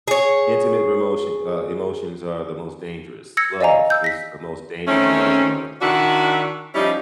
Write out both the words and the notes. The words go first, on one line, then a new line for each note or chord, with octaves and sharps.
intimate remotion, uh, emotions are the most dangerous. Love is the most dangerous emotion on the planet.
G#4 C#5
E6 G#6 A#6 C#7
D5 D#5 F5 G#5 A#5
E6 G6
A#6 B6
D#3 A3 C4 C#4
D#3 D4 E4 F#4
F3 G3 C#4 D#4 E4